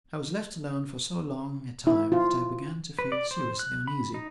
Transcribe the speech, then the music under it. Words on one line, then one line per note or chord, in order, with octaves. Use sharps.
I was left alone for so long a time that I began to feel seriously uneasy.
E4
F4
B4
D5
C5
F#6
B5
D#4